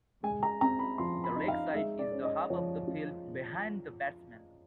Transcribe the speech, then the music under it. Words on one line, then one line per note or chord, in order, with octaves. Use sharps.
The leg side is the half of the field "behind" the batsman.
G#3 G#5
A#5
C4 A#5
B5
F3 C6
B5
D#4
F5
G#3 E5
D5
C#4
D#5
F3 C#5
F4